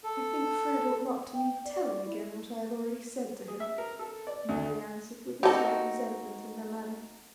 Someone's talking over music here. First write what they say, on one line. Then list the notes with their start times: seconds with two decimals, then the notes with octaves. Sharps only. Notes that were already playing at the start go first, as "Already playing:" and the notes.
"I think Fred ought not to need telling again what I have already said to him," Mary answered, with a slight resentment in her manner.
0.04 A4
1.33 G5
1.66 D5
2.05 E4
3.48 G#4
3.60 E5
3.78 A#4
3.99 A4
4.27 D5
4.49 D2
5.43 C4 D#4 F#4 G4 A4